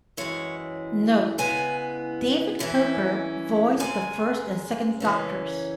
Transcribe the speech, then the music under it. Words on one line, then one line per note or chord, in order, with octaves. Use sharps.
Note: David Coker voiced the First and Second Doctors.
F#2 E3 G#3 E4 C#5
C#3 G#3 B3 E4 G#5
F#2 E3 C#4 E4
F#2 C#3 G#3 G#5
F#2 C#3 E3 C#4